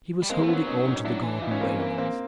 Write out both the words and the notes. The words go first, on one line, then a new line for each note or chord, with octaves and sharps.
He was holding on to the garden railings.
G3
G#3 A#3 C4
A3
B3 C#4
F#3
C#4 D#4
C#4 D#4
F#3 D4 E4
E3
D#4 F4
C#4
A#3 C4
A#3 C4
A#3 C4